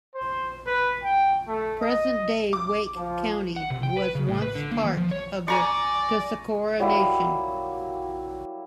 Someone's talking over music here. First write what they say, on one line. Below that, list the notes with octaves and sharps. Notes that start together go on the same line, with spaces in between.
Present day Wake County was once part of the Tuscarora nation.
C5
B4
G5
A3
D#5
D6
F3
F#5
C3
G5
B4
C#3
A2
B4
D3
A#3
E3
F3
C#5
D5 G#5 A#5 C#6
F#3 G3 A#3 E4